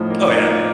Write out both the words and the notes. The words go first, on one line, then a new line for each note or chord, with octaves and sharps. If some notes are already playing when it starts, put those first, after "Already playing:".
Oh, yeah,
Already playing: A2 F3 D#4
A#3
D#4
A#3